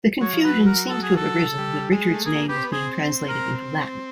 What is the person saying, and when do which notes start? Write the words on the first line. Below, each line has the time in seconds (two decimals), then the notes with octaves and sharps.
The confusion seems to have arisen when Richard's name was being translated into Latin.
0.21 F#3 C#5
0.33 F3
0.44 F#3 B4
0.66 A#4
0.89 A4
1.03 G#4
1.16 A4
1.58 G3
1.92 G#3
2.14 A3
2.26 A#3 G#4
2.49 B3 G4
2.56 C4
2.63 B3
2.72 C4 G#4
3.29 A#4